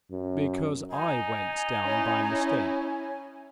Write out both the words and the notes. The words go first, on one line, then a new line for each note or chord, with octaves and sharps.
"Because I went down by mistake."
F#2
D#4 G#5
C#4 E4